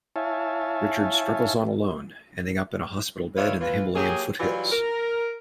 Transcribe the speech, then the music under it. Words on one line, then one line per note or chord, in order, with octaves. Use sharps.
Richard struggles on alone, ending up in a hospital bed in the Himalayan foothills.
E4 C#5 E5 F5 G#5 A5
G2 D4 F4 B4 C#5 E5
E3 F4 B4
F#3 A#3 G4 G#4
E3 F#3 G3 F4
A#4